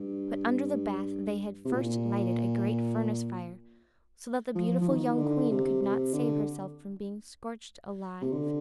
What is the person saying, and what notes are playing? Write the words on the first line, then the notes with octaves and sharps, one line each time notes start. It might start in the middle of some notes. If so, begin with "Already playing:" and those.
But under the bath they had first lighted a great furnace-fire, so that the beautiful young queen could not save herself from being scorched alive.
Already playing: G2
C3
A#2
F3
F3
D#3
D3
C3
C3
D3
C3
D3